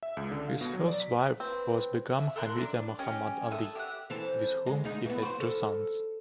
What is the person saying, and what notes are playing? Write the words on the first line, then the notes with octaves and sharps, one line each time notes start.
His first wife was Begum Hamida Mohammad Ali, with whom he had two sons.
E5
C#2
D3
F5
B2
F#3
D5
B6
C4 B4
E5
A4 A#4 C6 F#6
D4
C#4 G4 D#5
A4 E5 D#6
G4 E5 F#5
E3 C4 A4
G#3
D2 G#3 D#4
E3 B3
F#4 C5
A4